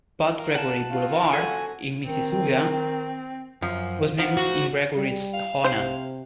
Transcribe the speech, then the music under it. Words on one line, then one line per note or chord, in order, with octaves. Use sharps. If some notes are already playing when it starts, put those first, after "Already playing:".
Bud Gregory Boulevard, in Mississauga, was named in Gregory's honour.
A#4 F5
F#5 A5
C4 F4 F#4
A4 F#5 G#5
D#3 C4
F#2 F3
F3 C5 F#5
F#4
G3
F5
C3 C5